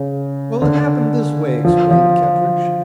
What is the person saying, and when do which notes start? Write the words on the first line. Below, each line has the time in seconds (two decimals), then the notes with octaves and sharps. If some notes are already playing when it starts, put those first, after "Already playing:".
"Well, it happened this way," explained Kettridge.
Already playing: C#3
0.62 D3
1.65 F3
1.91 F3